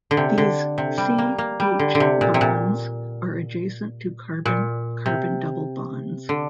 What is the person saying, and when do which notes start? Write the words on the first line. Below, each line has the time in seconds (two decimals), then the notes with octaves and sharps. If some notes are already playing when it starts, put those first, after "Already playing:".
These C-H bonds are adjacent to carbon-carbon double bonds.
0.11 D3
0.17 C3
0.38 D3
0.78 C3
0.98 G3
1.18 A#3
1.38 A#3
1.60 G3
1.79 D3
1.95 D3
2.00 C3
2.21 A#2
2.34 C3
2.41 A#2
4.45 A#2
5.06 C3
6.29 D3